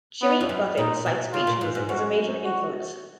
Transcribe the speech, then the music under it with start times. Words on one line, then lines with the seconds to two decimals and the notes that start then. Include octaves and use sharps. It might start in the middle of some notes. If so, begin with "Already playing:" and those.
Jimmy Buffett cites beach music as a major influence.
0.22 B3
0.41 F2
0.49 F#2
0.77 A#2 D#4
1.06 B2
1.33 C#3 F4
1.47 A#2
1.61 G#2
1.75 G#2
1.89 F#2 F#4
2.44 F#4